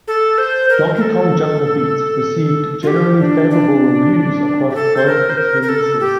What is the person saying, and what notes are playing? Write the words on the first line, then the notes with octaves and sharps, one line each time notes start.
"Donkey Kong Jungle Beat" received "generally favorable" reviews across both its releases.
A4
C5
A#4
A#4
A4
F4
G4
D4
D4
G4
A4
C5
A#4
C5
A#4
A#4
A4
G4